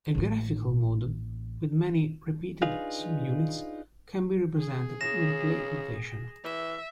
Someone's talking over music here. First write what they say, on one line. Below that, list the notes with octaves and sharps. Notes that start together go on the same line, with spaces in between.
A graphical model with many repeated subunits can be represented with plate notation.
A1 A#3
D4 D#4 F4 G#4 B4 F5
G#4
C#3 A#6 E7
E3 E5